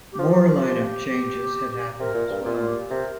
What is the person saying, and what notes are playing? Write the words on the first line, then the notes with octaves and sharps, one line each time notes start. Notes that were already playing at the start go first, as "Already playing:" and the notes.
More lineup changes had happened as well.
G4
F3 F4
G4
F4
G4
G4
C3 A#4
A#2
G2
A#2 F4
G4
C3 A#4